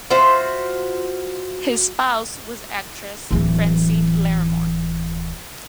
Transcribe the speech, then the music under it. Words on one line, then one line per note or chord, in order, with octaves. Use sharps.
His spouse was actress Francine Larrimore.
F4 F#4 C5 E5
D1 E3